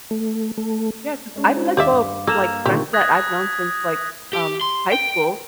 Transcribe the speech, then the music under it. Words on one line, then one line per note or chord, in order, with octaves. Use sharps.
Yeah, 'cause I've let go of, like, friends that I've known since, like, um, high school
A3
A3
G#3 C#4 D4
D#4 F4 C5
D#2 G4 D5 E5 F5 D6
G2
A#3 A4 E6 E7 F7
A#2 D3 D#3 C4 G4 C#6
D#6 F#6 G#6 A#6 B6
G4
C6
G5